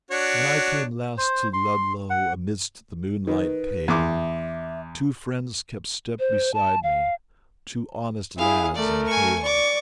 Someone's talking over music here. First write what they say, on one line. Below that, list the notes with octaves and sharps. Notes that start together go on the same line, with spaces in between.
When I came last to Ludlow Amidst the moonlight pale, Two friends kept step beside me, Two honest lads and hale.
D4 F#4 C#5
C5
C6
F#5
D#3 B4
E2 E5 C6 D6
C5
A5
F5
E4 G#4 F5
A3 A#4 D5
G#5 C#6
D5 C#6 D6